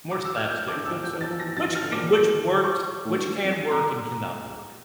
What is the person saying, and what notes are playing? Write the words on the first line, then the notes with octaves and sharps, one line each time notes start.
more slapstick type stuff, which ca which works which can work and cannot work.
D6
E6
F6
A#2 G6
D6
D3
F3 E6
F3 G6
E3
A6
F3
E3 A#6
F3 A6
E3
F6
D3
A2 A#2 D6
C#6
A2
G2
F2
F2 A#5